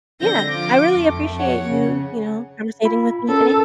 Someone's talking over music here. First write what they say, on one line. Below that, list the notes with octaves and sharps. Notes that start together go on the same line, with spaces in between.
yeah, I really appreciate you, you know, conversating with me today.
D3 F3 C4 G6 A#6
F4 D6
F2 A3
C#5 F#5
C#3
F4 B5
C#4 A4 A#4